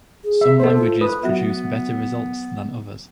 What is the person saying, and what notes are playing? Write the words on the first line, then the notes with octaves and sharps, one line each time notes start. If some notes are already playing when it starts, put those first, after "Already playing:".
Some languages produce better results than others.
G#4
E5
A#3 A4 C5
F4
B4 D#6
F#3 B3 F#4 E5